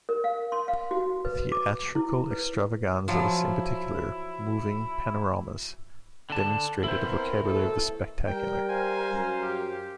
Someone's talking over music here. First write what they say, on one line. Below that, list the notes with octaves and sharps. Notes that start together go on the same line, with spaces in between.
Theatrical extravaganzas, in particular, moving panoramas, demonstrated a vocabulary of the spectacular.
A#4
F5
C6
F5
F#4
B4
D6
E4
B4
F3 F#3 E4
D3 A5
B3 C4 E4 A#4 C5
B2 A3 A4
G3 A#4 G5
C5 F5 G#5
F#2
G4